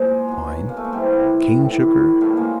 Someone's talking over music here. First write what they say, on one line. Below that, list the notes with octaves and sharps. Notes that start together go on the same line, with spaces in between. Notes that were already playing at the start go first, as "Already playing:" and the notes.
Wine. Cane sugar.
Already playing: A#2 F3 G#3
B2 F#3
A#3
A3
G#3
C3 E3 G3
A2 E3
A#2 F#3 G3 A3
G#3 A#3